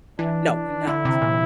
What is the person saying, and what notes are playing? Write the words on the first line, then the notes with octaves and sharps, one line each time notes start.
No, we're not,
E3 D4
D3 E4
C3
A#2